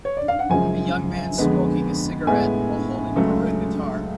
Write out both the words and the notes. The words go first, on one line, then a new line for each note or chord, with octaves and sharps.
A young man is smoking a cigarette while holding a maroon guitar.
C#5
D5
F5
F#5
F#2 C#3 F3 G#3 G#5
F2 D3 G#3 B3
A2 G#3 B3 G#5
C#2 C#3 F#3 A3